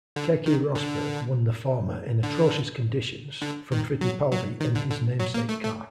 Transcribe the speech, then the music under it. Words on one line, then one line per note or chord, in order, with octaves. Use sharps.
Keke Rosberg won the former in atrocious conditions from Fittipaldi in his namesake car.
D3
D#3
D3
D3
D3
D#3
F#3
F#3
D#3
D3
D3
F#3
A#3
A3
A3